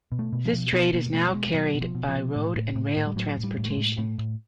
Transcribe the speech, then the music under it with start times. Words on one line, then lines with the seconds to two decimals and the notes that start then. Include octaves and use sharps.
This trade is now carried by road and rail transportation.
0.12 B2
0.19 A3
0.32 B2
0.45 F3
0.53 B2
0.73 B2 B3
0.93 B2 A#3
1.13 B2 A3
1.28 G3
1.34 B2 G#3
1.54 B2 F#3
1.75 B2
1.81 F3
1.95 B2
2.08 F3
2.16 B2
2.36 A2
2.56 A2
2.76 A2
2.97 A2
3.07 G3
3.16 A2 F#3
3.37 A2
3.43 G3
3.58 A2
3.65 A3
3.70 G#3
3.77 A2
3.98 A2 A3
4.18 A2